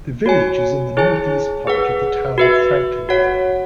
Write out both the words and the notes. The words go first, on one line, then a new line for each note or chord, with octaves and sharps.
The village is in the northeast part of the town of Franklinville.
F#4 C#5 G#5
E4 G#4 C#5 G#5
G#4 B4 F#5
F#4 B4 E5
F#4 C#5 F#5